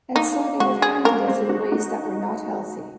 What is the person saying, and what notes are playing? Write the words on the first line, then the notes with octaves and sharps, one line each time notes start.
And so they would handle it in ways that were not healthy.
A#3 D#4
G#3 F#4
G#4
A#3 A#4
G#3 C4
D#4 F#4
D#4 F#4